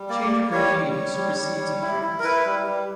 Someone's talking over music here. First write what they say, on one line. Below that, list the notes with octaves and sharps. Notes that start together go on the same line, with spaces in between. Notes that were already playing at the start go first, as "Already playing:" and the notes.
The change of regime supersedes in France.
Already playing: G3
A#3 D5
G3
G3 C#5
G3
G3
G3
G3
G3
E4
E4
A#4
E4 B4
G3
G3